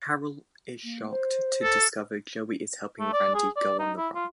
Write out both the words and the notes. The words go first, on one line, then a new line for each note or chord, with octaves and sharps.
Carol is shocked to discover Joey is helping Randy go on the run.
A#3
C5
A4
A3
D5
G#4
D5
D#4
E4
F4